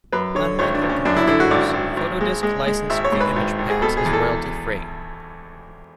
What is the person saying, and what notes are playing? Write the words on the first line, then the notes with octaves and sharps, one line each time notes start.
Unlike their competitors, Photodisc licensed the image packs as Royalty Free.
F#2 B4
D3 C#5
G#1 C#5
D4
G#1
C#4
F#2 D4
E4
D3 E4
F#4
G#1 D5
G#1
G#1
G#3
G#3
G#3
G#1 E5
C#5
G#2
B4
G#1
G#1
G#4
B2 A4
G#4
E2
A4